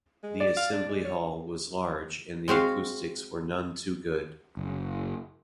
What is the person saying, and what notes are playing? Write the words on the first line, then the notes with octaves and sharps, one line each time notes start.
The assembly hall was large and the acoustics were none too good.
G#3
D5
F5
D4
G#3
C#5
G#3 C4 F#4 F5
F#1